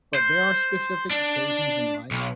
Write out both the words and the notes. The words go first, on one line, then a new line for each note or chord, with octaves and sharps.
but there are specific occasions in life
C5
D4
B1